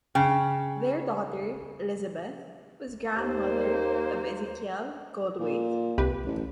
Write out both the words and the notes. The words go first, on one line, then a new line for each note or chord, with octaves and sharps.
Their daughter, Elizabeth, was grandmother of Ezekiel Goldthwait.
C#3 G5
D#2 A#3 C5
A#2
C2 G4 B4
A1